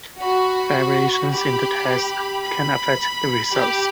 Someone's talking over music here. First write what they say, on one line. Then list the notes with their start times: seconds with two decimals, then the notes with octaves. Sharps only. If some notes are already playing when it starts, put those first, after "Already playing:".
Variations in the test can affect the results.
0.21 F#4 B5
1.31 G4 B5
2.42 B5
3.53 G4